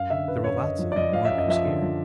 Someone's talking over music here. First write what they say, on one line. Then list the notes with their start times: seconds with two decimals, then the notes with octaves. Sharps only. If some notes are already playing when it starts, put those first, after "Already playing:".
There were lots of the mourners here.
Already playing: F#2 F5
0.10 D3 E5
0.27 F#2 B4
0.44 F#2 C#5
0.62 F#2 D#5
0.79 F3
0.92 D5
0.96 F3 D#5
1.13 F3 F5
1.25 E5
1.31 F#2
1.38 D#5
1.48 F3 E5
1.65 D3
1.82 F3